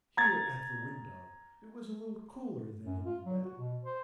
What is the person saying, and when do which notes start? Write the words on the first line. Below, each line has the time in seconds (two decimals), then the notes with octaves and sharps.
Here at the window it was a little cooler than in the bed.
0.17 A#5 G#6 A6
2.85 F#2
3.04 F4
3.25 F#3
3.44 F#4
3.57 B2
3.84 C5